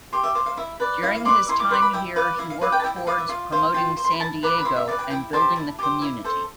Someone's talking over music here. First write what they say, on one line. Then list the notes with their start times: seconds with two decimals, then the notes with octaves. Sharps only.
During his time here, he worked towards promoting San Diego and building the community.
0.12 G4 C6
0.23 E5
0.35 C5 F5
0.46 F5
0.57 E4 E5
0.80 B4 D5
1.03 E4 F5
1.15 F5
1.25 B4 D5 C6
1.49 E4 C6
1.60 D6
1.70 B4 C6
1.73 D5
1.82 B5
1.93 E4 G5
2.16 B4 D5 F5
2.39 E4 F5
2.50 F5
2.61 B4 D5 F5
2.72 G5
2.80 A5
2.84 E4 G5
2.96 G5
3.07 B4 D5 F5
3.18 E5
3.29 F4 F5
3.52 C5 F5
3.74 F4 G5
3.97 C5
4.04 C6
4.12 B5
4.20 E4 A5
4.43 B4 D5 B5
4.58 B5
4.65 E4 C6
4.76 E5
4.88 D5 F5
4.91 B4
4.99 G5
5.10 E4 G5
5.33 G4 C5 A5
5.56 E4
5.78 G4 C5
6.02 E4
6.24 A4 C5